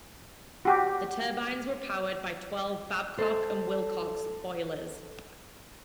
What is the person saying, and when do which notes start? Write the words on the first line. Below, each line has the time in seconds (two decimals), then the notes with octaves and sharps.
The turbines were powered by twelve Babcock and Wilcox boilers.
0.65 F#4 G4
3.18 A4 C5